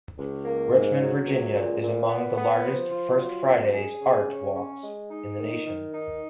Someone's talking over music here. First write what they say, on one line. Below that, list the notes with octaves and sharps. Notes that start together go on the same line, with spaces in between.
Richmond, Virginia is among the largest First Fridays art walks in the nation.
C#2
A#3
G#2
F#3
C#2
A#2
A#2
B3
B3
F3
F4
F#3
F#2
G#4
C#3
C#4
C#4
G#3
D#4
D#3
D#3
D#4